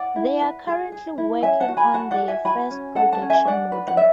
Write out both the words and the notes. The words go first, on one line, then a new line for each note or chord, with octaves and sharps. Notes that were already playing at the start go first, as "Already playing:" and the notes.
They are currently working on their first production model.
Already playing: D5 F#5
E4
B4
G#4
G#4
E4
C#4 E5 G#5
F#5 A5
F#4
G#5 B5
F#4 F#5 A5
D5 F#5
A4
E5 G#5
F#4 G#5 B5
C#4
A4 F#5 A5
F#5 A5
C#4
E5 G#5
D4 D5 F#5
B4
F#5
D4 E5